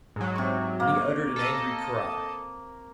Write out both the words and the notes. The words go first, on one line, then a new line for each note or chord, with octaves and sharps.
Then he uttered an angry cry.
G#2 F#3
C3 C#6
A#3
A4 D#5